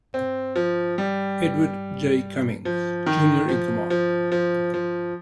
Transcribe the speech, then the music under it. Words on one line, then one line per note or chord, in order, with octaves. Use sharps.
Edward J. Cummings, Junior in command.
C4
F3
G3
F3
D#3
F3
F3
F3
F3